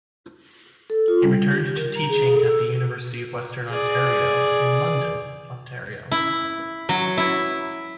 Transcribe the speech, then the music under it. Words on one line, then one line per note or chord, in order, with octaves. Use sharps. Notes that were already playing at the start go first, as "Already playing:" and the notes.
He returned to teaching at the University of Western Ontario, in London, Ontario.
A4
F4
G3
G4
A#4
A#5
G#4
A4
E6
G#4 D5
E4
F#3
E4